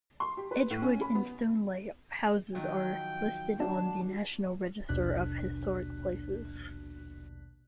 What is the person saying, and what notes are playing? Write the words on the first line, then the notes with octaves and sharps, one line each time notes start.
Edgewood and Stoneleigh houses are listed on the National Register of Historic Places.
C6
G4
B4
A2
C#4
B5
B3
D#3 F3 F#3 G5 F#6
D4 F#4 A5
A#1 D#2 B2 D4 F#6 B6